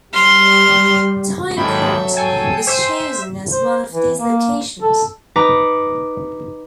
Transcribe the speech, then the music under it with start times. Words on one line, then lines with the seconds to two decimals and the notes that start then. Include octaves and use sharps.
Tyne Cot was chosen as one of these locations.
0.14 G3 C6 F6
1.57 D#2 G#2 F#3 A4 E5 G5 B5
2.17 G#4 A4 G5 G#5
2.67 C5 E5 E6
3.51 C5
3.92 E3
4.19 A#3
4.81 A4
5.36 D#4 B4 A#5 D6